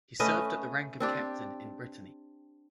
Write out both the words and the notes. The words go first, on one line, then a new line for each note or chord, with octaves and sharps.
He served at rank of captain in Brittany.
A3 C#4 B4 D#5
C4 D4 G4